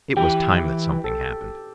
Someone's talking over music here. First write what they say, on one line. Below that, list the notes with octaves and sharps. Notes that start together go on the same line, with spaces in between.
It was time that something happened.
E3 G4 G5
A4